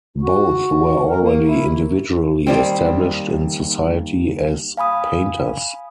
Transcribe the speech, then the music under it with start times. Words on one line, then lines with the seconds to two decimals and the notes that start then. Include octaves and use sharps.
Both were already individually established in society as painters.
0.22 F#4
1.08 A#4
1.21 A#3
1.46 E4
2.47 D#2 G3 C4
4.77 F5 G#5 B5 D#6